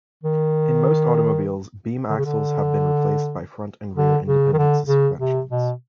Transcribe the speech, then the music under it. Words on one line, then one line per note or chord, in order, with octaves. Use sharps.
In most automobiles, beam axles have been replaced by front and rear independent suspensions.
D#3
D3
C#3
D3
D3
C#3
D#3
D3
C#3
C3
B2